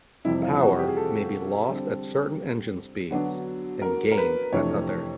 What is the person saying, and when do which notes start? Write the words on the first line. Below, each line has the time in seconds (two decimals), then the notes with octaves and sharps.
Power may be lost at certain engine speeds and gained at others.
0.25 F2 C3 E3 G3 C4 E4
0.43 F4
0.61 F#4
0.78 G4
0.88 G#4
0.97 A4
1.68 D3 G3 C4
3.11 D3 F#3 B3 D4
3.82 A#4
4.12 A#4
4.18 B4
4.52 F2 C3 E3 A3 D4 C#5